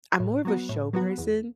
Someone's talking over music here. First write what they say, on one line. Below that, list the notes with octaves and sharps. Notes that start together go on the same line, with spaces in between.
I'm more of a show person
A2
F#3 B3 F#4
A2
F#3 B3 F#4
E2